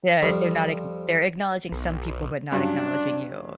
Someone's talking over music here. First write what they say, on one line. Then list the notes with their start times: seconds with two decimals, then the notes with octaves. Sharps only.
they they're not ackn they're acknowledging some people, but not acknowledging you.
0.22 F2 F3 G3 C4 C5 C#6
1.72 B1
2.52 G2 C#3 F#3 D4